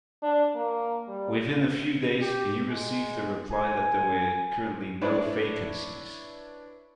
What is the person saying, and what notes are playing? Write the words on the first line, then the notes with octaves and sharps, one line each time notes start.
Within a few days he received a reply that there were currently no vacancies.
D4
A#3
G3
G4
G#3
G#5
D4 E4 B4 C#5 D5